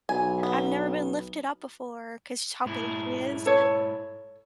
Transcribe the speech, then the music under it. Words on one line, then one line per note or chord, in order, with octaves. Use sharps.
I've never been lifted up before," 'cause how big she is.
B1 G#5
B3
G#2 E4
A4 C#5